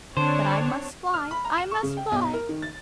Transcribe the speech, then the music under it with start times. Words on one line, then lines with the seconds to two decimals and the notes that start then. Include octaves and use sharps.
But I must fly, I must fly!
0.17 D3 C4 D4 C5 C#5
1.14 F6
1.31 B5
1.45 A#5
1.58 E7
1.71 C#6
1.83 C#3
1.97 G5
2.11 B1
2.33 A#4
2.49 D#3
2.62 A6